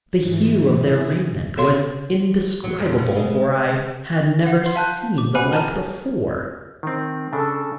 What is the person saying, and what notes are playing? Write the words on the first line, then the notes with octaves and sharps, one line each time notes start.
The hue of their raiment was indescribable for I had never seen the like before.
G#2 E3
E4 G#4
A4 C#5 F5 C6
F#3
F2
B2
G#3
F5 F#5
C6 C7
F5 A5 F#6 G6
D6
F#5 G#5 B5 F6 F#6
A5 A#5 F6
D#3 C4
C#3 D4 A4